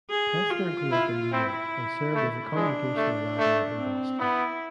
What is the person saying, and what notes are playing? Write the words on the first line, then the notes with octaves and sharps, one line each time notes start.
Pesner grew up in New York, and served as a congregational rabbi in Boston.
G#4
F4
E4
C4 E4
A3
G#3 D4
A3
A3
C4
B3 E4